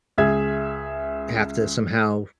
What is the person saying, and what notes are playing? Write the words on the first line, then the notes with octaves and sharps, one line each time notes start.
have to somehow
C#2 G#4 E5 G#6